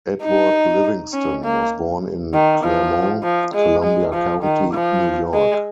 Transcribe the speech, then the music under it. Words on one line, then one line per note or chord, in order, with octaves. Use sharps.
Edward Livingston was born in Clermont, Columbia County, New York.
D#4
C#4
A#3
D#3
F3
F3
G#3
G#3
F3
D#3
F3
G#3